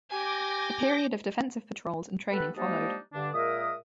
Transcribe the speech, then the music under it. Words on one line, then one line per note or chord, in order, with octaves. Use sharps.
A period of defensive patrols and training followed.
G4 G#5 D6 G6 A#6
B3 G4 A4 B4
F3 G3 G#3 A#3 D4 D#4
G2 D3 D4
A#2 G#3 A#4 E5 D#6